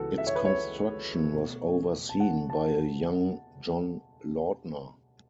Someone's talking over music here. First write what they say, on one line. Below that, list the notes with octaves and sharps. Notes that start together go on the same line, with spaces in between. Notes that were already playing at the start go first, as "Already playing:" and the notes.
Its construction was overseen by a young John Lautner.
Already playing: C#2 C#3 E3 B3 F#4 A4
E5
C#5
B4
C#5
B2 A3
A5
F#5
A5